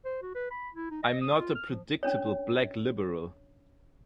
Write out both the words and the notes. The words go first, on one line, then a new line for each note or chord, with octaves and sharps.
I'm not a predictable black liberal.
C5
F#4
B4
B5
E4
D#4
D#5
D#6
F4
F6
F3
C#4 D4 C#5